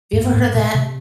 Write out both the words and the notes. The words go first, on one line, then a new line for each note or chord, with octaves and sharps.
you ever heard of that
G2
G#2
A#2
C3